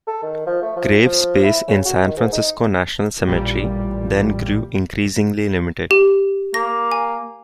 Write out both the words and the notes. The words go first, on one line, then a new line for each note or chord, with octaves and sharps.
Grave space in San Francisco National Cemetery then grew increasingly limited.
A4
D#3
F3
A3
F3
F3
E4
C#3
F#4
D#3
G#2
D#4
A1 A#2 G3
G4
A#3 A#6
G#5